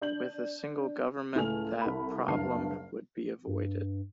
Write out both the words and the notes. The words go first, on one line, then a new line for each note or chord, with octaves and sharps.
With a single government that problem would be avoided.
D4 G6 F#7
C#2 A2 A3 G#5 F6 F7
C2 A4 B5
F#1 C#2 G2 A5 F6 C7
G2